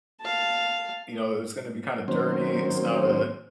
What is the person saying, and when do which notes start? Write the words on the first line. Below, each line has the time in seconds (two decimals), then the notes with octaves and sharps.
you know, it was gonna be, kinda, dirty. It's not a
0.21 F5 A5
2.08 D#3 F#3 A#3 C4 C#4 C5